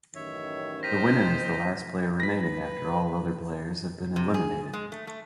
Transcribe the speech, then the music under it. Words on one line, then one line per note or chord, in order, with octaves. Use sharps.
The winner is the last player remaining after all other players have been eliminated.
A1 F#2 D#3 C#5 E5
D#4 C5 G5 F6 A#6 B6 D#7
B4 A#6 B6
C3
G#4
G#3
A3
A3